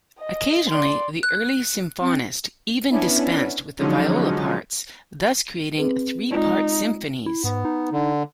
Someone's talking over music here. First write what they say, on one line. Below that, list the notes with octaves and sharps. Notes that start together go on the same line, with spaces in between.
Occasionally the early symphonists even dispensed with the viola part, thus creating three-part symphonies.
D#5
D5 C6
F#6
C4
B3 C#4 D4 E4
D3 F3 F#3 G#3 C#4 D#4
C4 G#4 B4
G#3 D#4 F4 D5
E4
G#2 B3
D#4
D3